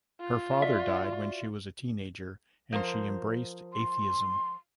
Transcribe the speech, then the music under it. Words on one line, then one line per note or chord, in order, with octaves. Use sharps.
Her father died when she was a teenager, and she embraced atheism.
F4
F#4 D5 E5
F3 A#4 C5
C6